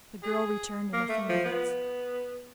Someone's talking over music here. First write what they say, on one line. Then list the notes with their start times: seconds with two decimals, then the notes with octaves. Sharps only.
The girl returned in a few minutes.
0.23 G#4
0.93 A#3
1.09 A3
1.29 F3
1.45 B3